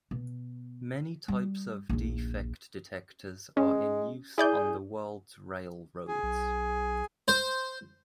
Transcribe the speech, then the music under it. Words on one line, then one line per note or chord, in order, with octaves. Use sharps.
Many types of defect detectors are in use on the world's railroads.
B2
G3
A#1 D#2
G#3 C#4
E4 G#4 D5 G6
G#4
B1
C5